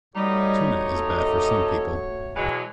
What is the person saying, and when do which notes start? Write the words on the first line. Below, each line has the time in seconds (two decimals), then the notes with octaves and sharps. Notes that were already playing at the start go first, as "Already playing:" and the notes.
Tuna is bad for some people.
0.16 G3 A3 D#4 F#4 G4 C#5 D#5
0.95 A4
2.36 B2 E3 F#3 G#3